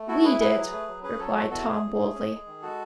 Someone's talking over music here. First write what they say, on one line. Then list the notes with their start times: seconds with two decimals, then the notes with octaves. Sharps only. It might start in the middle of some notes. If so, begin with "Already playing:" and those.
"We did," replied Tom boldly.
Already playing: A3
0.08 E4 F#4 A4
0.24 E4 G#4 B4
0.40 G#2 G#4 B4
0.56 F#3
0.72 A3
0.88 F#3
1.03 C#4 G#4 B4
1.19 F#3 A4 C#5
1.35 B2 F#4 A4
1.51 E2 F#4 A4
1.67 A3 G#4
1.83 E2
1.99 A3
2.14 C#4
2.30 G#3
2.47 D#3
2.62 G#3 F#4 A4